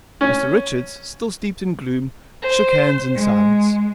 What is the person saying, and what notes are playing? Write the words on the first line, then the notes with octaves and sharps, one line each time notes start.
Mr Richards, still steeped in gloom, shook hands in silence.
C#4
C5
G#3